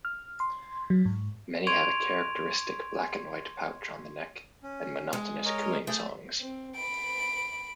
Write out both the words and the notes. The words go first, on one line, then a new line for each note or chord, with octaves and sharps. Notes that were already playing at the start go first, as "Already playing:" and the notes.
Many have a characteristic black-and-white patch on the neck, and monotonous cooing songs.
F6
C6
F#3
G#2
C6 C#6 G#6 D7 D#7 F7
C#4
G#3
A#4 C#5 D#5
A3 G#4 G6
C4
B5 D7